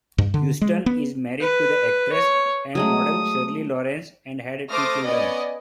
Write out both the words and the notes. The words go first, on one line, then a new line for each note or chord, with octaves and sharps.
Houston is married to the actress and model Shirley Lawrence and had two children.
G2
D3
G#3
B3
B4
C#5
F#3 G#3 A3 D#6
A3 C5 D6 D#6 F6 A#6
B3 C#4 D5 D#5 G#5